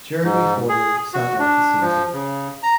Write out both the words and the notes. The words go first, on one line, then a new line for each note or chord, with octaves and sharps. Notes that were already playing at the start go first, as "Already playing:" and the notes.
Jeremy Forman sat out the season.
G#2
G#4
F#4
D4
F3
C#3
A#5